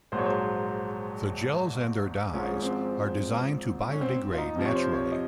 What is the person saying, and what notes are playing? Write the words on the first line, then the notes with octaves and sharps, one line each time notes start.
The gels and their dyes are designed to biodegrade naturally.
A#1 G#2 F#3 C5
C#5
C5
G#1 G#2 F3 C#4
C4
C#4
C4
F4
D#4
F2 C3 F3
C#5
C5
C#5
D#5